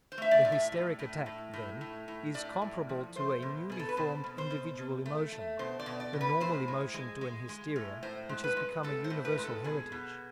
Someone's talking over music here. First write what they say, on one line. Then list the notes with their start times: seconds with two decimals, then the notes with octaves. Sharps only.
The hysteric attack, then, is comparable to a newly formed individual emotion, the normal emotion to an hysteria which has become a universal heritage.
0.12 C5
0.18 A3 E5
0.31 D5
0.45 A2
0.52 E5
0.72 A2
0.99 A2
1.26 A2
1.53 A2
1.81 A2
2.08 A2
2.34 A2 D5
2.62 A2
2.89 F3
3.16 A3 C5
3.42 B2
3.69 B2 G#4
3.79 A4
3.89 B4
3.97 B2 C5
4.24 B2
4.38 C5
4.50 B2
4.78 B2
5.06 A3
5.32 A3
5.59 B2 C5
5.79 D5
5.86 B2
6.00 D5
6.13 B2
6.21 B4
6.40 A2 C5
6.68 G#3
6.94 G#3
7.21 G#3
7.49 G#3
7.76 A2
8.03 A2 C5
8.29 G#3
8.44 B4
8.57 G#3
8.83 A2 A4
9.04 C5
9.10 A2
9.25 B4
9.38 G#3
9.44 A4
9.64 B2 G#4
9.92 B2